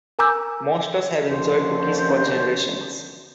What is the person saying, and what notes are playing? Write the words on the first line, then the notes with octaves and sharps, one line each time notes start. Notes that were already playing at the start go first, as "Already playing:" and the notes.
Monsters have enjoyed cookies for generations.
A#4 G#5 A#5 D6 E6 G6
D#2 D3 F3 C#4 C5